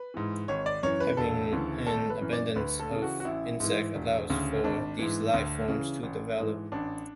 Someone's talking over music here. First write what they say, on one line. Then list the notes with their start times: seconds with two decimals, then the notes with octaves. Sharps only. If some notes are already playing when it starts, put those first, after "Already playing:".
Having an abundance of insects allows for these life-forms to develop.
Already playing: B4
0.14 G#2 E3
0.48 G#1 C#5
0.66 D5
0.83 F#2 E3 C#5
1.00 B4
1.17 E1 A4
1.52 D2 C#3 E3
1.87 G#1 A4
2.10 B4
2.21 F#2 E3
2.33 D5
2.56 D2 B4
2.80 A4
2.90 C#3 E3
3.02 F#4
3.20 F#4
3.25 A1 E4
3.60 G#2 E3
3.95 E1
4.30 D2 C#3
4.64 G#1 D4
4.99 G#2 E3
5.34 D2
5.68 C#3 E3
6.03 A1
6.37 G#2 E3
6.72 A1 D4